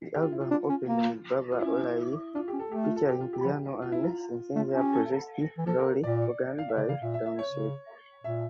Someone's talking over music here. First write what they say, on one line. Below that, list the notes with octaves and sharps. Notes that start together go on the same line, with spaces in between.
The album opened with "Baba O'Riley", featuring piano and synthesizer-processed Lowrey organ by Townshend.
G4
F4
E4
F4
D4
C#4
A#3
F4
C#4 E4
D4 F4
G4
C#4
A4
A3 G4
F4
A4
G4
F4
G4
F3
F4
E4
F4
A3 F4
F4
C#4
G4
A4
E3
F3 A4
A#4
A#2 D5
F5
E5
C#3 D5
C#3 F5
A#2 E5
E5
E5
C#5
C#3
A#2 E5